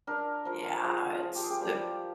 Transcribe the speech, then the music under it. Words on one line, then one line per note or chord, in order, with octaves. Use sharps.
Yeah, it's it
D4 A#4
F3 A#4
F3 G#4
F4
F3
G4
G#4
G4
G3 G4